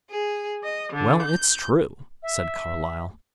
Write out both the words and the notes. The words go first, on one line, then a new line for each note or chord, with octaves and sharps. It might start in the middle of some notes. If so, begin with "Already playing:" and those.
"Well, it's true," said Carlyle.
G#4
D#5
D3
G6
E5